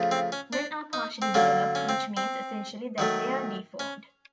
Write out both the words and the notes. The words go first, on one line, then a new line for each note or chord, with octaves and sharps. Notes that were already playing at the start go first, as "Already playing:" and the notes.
Men are partially developed which means essentially that they are deformed.
Already playing: C#3 F3 A3
C4
C#4
D4
D#4
C4
D3 F#3 A#3 C#4
C#4
C4
C4
D#3 F#3 A3
C#4